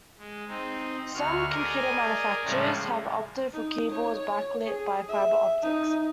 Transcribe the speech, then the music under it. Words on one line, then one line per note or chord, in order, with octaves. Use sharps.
Some computer manufacturers have opted for keyboards back-lit by fiber-optics.
G#3
C4 D#4
D2 F#4 F6
G#4 A#4 D5 D#5 G#5
A2 C#3 F3 G3 G#3
D#4
C#5
G#4
E5
D#4